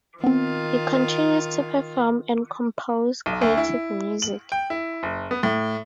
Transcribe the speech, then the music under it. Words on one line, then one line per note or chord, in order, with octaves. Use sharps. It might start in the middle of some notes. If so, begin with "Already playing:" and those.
He continues to perform and compose creative music.
D#3 B3 C4 F4
B1
D2
E4
F#7
G5
E4
F#1
B3
A2